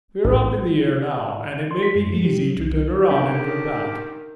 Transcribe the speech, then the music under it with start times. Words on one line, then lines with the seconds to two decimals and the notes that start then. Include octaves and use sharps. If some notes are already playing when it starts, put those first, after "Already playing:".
We're up in the air now, and it may be easy to turn around and go back.
0.24 A1
1.71 C6
1.83 B6
1.96 F#2
2.13 F3
2.25 G4
2.40 F#3
2.59 C2
3.11 D3 D#3 G4